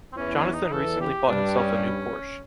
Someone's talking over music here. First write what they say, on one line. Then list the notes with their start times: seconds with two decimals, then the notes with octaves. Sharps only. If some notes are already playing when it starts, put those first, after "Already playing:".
Jonathan recently bought himself a new Porsche.
0.12 C4
0.16 E2 E3 C#4
0.36 C#4
0.54 D#4
0.72 E2 E3 A4
1.01 G4
1.28 G2 G3 D4
1.56 C#4